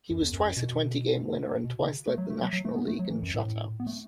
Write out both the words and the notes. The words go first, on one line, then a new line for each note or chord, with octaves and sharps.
He was twice a twenty-game winner and twice led the National League in shutouts.
F#2
E2
F#2
F#2
B2
B2
C#3
A3
F#3
A3
F#3
F#3
A3
B3
A3
F#3
E3
F#2
A2
B3
A3